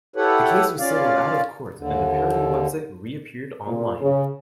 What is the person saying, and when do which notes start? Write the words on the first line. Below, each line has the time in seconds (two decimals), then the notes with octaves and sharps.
The case was settled out-of-court and the parody web site re-appeared online.
0.16 E4 G4 A4 B4 C#5 F#5
0.79 C#4 F4 D5 F5
1.78 D#2 D3
3.66 A#2
4.01 C#3